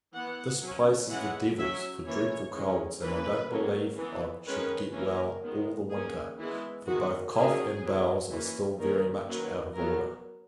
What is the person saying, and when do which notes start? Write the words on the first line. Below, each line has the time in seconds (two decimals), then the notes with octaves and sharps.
This place is the devil's, for dreadful colds: and I don't believe I should get well all the winter; for both cough, and bowels, are still very much out of order.
0.13 E3 B3 F#5
0.61 F#3 C#4
1.09 E3 G#3 C#4 F#5
1.57 F#3 C#4 E5
2.06 E3 A#3 C#4 C#5
2.53 E3 G#3 C#4
3.02 E3 A#3 C#4 B4
3.49 D#3 F#3 A#3 C#4
3.98 E3 B3
4.46 D#3 G#3 C#4 B4
4.94 E3 A#3 C#4 A#4
5.43 D#3 G#3 B3
5.90 D#3 A#3 C#4 G#4
6.39 E3 G#3 B3 E4
6.87 D#3 G#3 B3 F#4
7.35 D#3 F#3 C#4 G#4
7.83 D#3 F#3 B3
8.31 E3 A#3 C#4
8.79 D#3 A#3 C#4 A#4
9.27 D#3 F#3 A#3 C#4 B4
9.75 F#3 B3 A#4